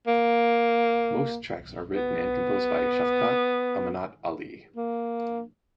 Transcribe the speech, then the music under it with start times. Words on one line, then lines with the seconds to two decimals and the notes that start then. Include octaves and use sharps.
Most tracks are written and composed by Shafqat Amanat Ali.
0.07 A#3
1.95 B3
4.76 A#3